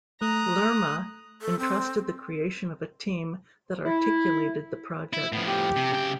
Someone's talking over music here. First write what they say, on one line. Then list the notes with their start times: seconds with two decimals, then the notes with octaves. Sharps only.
Lerma entrusted the creation of a team that articulated the project.
0.21 A3 A#5 D#6 F#6
1.42 A4
1.59 C4
3.85 E4
5.13 E4
5.32 A2 F3 B3
5.47 G4
5.76 C3
5.93 C#3 G5